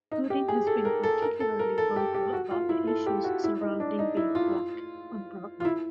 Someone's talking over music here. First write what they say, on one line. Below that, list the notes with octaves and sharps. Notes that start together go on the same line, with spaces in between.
Gooding has been particularly vocal about the issues surrounding being Black on Broadway.
D#4
G4
G#4
A4
A#4
A4
A#4
A4
A#4
A4
G4
G4
F#4
F4
E4
A4
G4
F#4
E4
D#4
D4
D#4
E4
F4
F4
E4